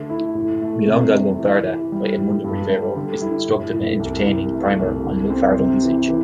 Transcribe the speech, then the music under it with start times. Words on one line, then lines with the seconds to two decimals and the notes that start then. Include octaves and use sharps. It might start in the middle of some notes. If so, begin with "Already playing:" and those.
"Milonga Lunfarda" by Edmundo Rivero is an instructive and entertaining primer on lunfardo usage.
Already playing: D3 A3
0.10 E4
0.35 A2
0.61 A3
0.87 C3
1.13 C4
1.39 E3
1.65 E3
1.92 G3
2.18 A2
2.44 G2
2.69 G3
2.96 D3
3.22 E4
3.48 A2
3.74 A2
4.00 C2
4.27 C2
4.53 A3
4.79 C2
5.04 D3
5.30 C4
5.57 C3
5.83 E3
6.08 E3